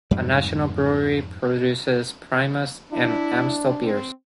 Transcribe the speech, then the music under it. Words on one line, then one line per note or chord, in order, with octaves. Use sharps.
A national brewery produces Primus and Amstel beers.
F2 G#2 G3
D4 E4
C4